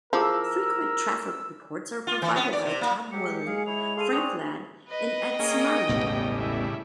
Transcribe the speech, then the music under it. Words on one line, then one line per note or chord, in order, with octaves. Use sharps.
Frequent traffic reports are provided by Tim Wilund, Frank Ladd, and Ed Smaron.
F3 E4 G#4 A#4 D6 E6
F4
E3
B3
D5
C3
A#3
F#3 G#3 G4 C#7
G#3 G#4 F5
E4 C#5 F7
G#4 A4 F5 C6 D#7
C4 D4 G#4 C5 C#6 D#6
B4 D#5
A#3 C#4 G#4 G5 D#6
E1 A1 A2 C#3 G3 B3
E4 E5